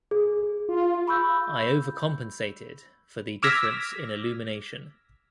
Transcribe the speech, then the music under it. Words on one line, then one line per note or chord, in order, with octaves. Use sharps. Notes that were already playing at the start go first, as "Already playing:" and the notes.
I overcompensated for the difference in illumination.
G#4
F4
B5 C#6 E6 G6
D6 E6 F6 G#6 A#6 B6